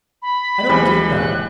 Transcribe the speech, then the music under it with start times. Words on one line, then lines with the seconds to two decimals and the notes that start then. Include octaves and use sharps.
"I don't get that."
0.22 B5
0.69 D#2 E3 G#3
1.15 F#6